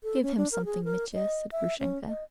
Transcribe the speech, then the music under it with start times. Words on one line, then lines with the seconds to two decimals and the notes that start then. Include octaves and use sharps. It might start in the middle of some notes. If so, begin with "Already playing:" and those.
"Give him something, Mitya," said Grushenka.
0.04 A4
0.23 C#4
0.37 D4
0.52 A#4
0.65 G#4
0.85 A#4
1.14 D#5
1.52 E5
1.80 C#4
2.08 D#5